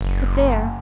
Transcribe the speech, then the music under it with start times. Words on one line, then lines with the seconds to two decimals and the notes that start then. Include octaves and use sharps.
But there!
0.01 F#1